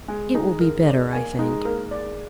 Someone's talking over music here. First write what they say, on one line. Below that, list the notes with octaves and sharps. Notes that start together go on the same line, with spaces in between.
"It will be better, I think."
G#3 G#5
D#4
A#4
D5
A#3 G#5
G#3 D#4
A#3 A#4
D5